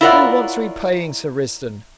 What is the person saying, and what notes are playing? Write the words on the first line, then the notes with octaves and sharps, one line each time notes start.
Who wants repaying, Sir Risdon?
E4 F4 A#4 C#5 D5 F#5